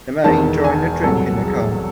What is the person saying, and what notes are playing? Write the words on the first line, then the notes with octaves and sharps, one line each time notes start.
A man enjoying a drink in a cup.
E1 E2 D#3 A5
G#5
C2 C3 F#3 A4
G#4